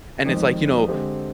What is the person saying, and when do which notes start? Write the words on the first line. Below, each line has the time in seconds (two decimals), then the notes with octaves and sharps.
And it's like, you know,
0.25 F2 D#3 G#3 C4
0.88 D3 G#3 C4 G4